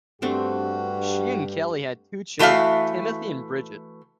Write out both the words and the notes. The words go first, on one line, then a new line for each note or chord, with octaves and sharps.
She and Kelly had two children, Timothy and Bridget.
G2 A3 C4 D4 F#4 G4
E3 A3 F#4 E5 F5